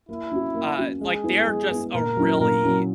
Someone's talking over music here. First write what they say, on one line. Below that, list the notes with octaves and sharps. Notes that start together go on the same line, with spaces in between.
uh, like, they're just a really
A#3 E4
C#4 F#4
A#3
C#4 F#4
G#3 G#4
B3 E4
G#3
B3 E4
A#2 A#4
F#3 C#4 E4
A#2 A#4
F#3 C#4 E4